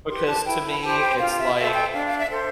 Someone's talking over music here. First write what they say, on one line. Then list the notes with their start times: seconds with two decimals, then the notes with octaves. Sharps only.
because to me it's like
0.09 G4 B4 C6
0.28 A5
0.46 E4 G5
0.64 B5
0.83 G4 C5 A5
1.01 G5
1.19 F4 F5
1.39 E5
1.56 A4 C5 E5
1.75 G5
1.93 D4 F5
2.07 F5
2.17 E5
2.30 A4 C5